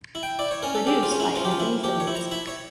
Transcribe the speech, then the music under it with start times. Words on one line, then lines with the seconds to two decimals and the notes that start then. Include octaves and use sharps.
Produced by Anthony Phillips.
0.15 E4
0.23 G5
0.39 E4 D5
0.51 C#5
0.63 C#4 A#4
0.75 A4
0.87 C#3 G4
1.03 F4
1.11 C#4
1.20 E4
1.35 F3 F4
1.45 G4
1.51 F4
1.60 E4
1.84 F3 G4
2.00 C#5
2.07 E4
2.15 A#5
2.31 E4 E5
2.47 C#5